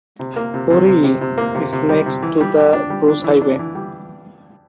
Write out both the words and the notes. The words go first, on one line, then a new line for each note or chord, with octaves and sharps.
Woree is next to the Bruce Highway.
C3
A#3
C3
C3
C3
C3
C3
A#3
C3
C3
G3
C3
E3
G3
G4
D4
G3
D4
E3
D4
E3
G3